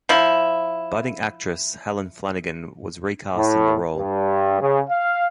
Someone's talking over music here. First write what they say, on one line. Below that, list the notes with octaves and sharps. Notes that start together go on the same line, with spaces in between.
"Budding actress" Helen Flanagan was recast in the role.
F3 E4
A2
G2
C#3
F5